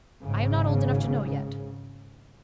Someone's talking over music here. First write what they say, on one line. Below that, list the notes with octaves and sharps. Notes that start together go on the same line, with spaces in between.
"I am not old enough to know yet."
G#1 G#2 C#3